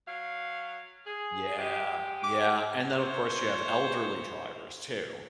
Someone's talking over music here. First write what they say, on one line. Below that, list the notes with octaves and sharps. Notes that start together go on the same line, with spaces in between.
Yeah, yeah, and then of course you have elderly drivers too,
F#3 F5
G#4
G#3 G4
D6
C5 C#5